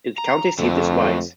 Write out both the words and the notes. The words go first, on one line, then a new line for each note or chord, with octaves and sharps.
Its county seat is Wise.
A#5
F2 D3 A3